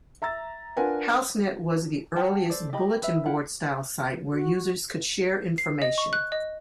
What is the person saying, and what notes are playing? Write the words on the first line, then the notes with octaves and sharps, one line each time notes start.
HouseNet was the earliest bulletin-board style site where users could share information.
E5 A#5 E6 A6
D4 F4 A#4 B4 F#5 G#5
F#4 F#5 G5 A5
A4 C5 D5
G4 D#5 B5
B4 E5
E4 F4 F#5 G5
F#4
C7
D#5
C#6
F#6
D#5